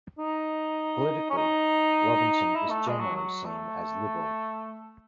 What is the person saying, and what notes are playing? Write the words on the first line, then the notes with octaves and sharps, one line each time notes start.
Politically, Robinson is generally seen as liberal.
D#4
C#4
D#4
E4
A3
G#3
F#3
F#3
A3